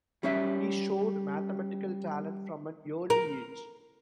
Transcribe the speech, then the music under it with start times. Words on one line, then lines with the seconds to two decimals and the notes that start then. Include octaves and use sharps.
He showed mathematical talent from an early age.
0.23 G3 C#4 C#5 E5
3.10 A#4